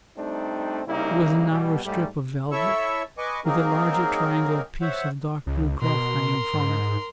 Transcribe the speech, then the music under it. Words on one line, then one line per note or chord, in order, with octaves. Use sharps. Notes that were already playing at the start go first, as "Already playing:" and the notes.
It was a narrow strip of velvet with a larger triangular piece of dark blue cloth hanging from it.
G3 A3 C4 D4 D#4
C2 C#3 G3 A#3 D#4 E4
B2 G3
G#2 G3 A3
E4 A4 C#5 E5 C#6 E6
B4 D#5 G#5 C#6 D6
F#3 A#3 C4 D#4 G#4 A#4
C5 C#5 E5 F#5
C#2
B2 A#4 C6
G#2